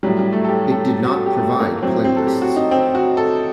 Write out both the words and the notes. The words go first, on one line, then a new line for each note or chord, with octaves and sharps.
It did not provide playlists.
A2 F#3 G3
G3
A3
A4
G4
A4
F#4
A4
G4
A3
A#3
A2 F#3 C4
C4
A4
G4
F#4
D#4
C4
F#4
A4